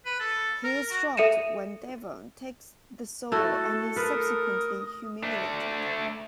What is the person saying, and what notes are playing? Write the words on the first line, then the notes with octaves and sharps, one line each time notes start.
He is shocked when Devon takes the solo and is subsequently humiliated.
B4
A4
A#4
F#4
A4 E5 C#7 D#7 E7
A3 E4 F#4 A4 A6
A#4 B4 D#6
A3 D4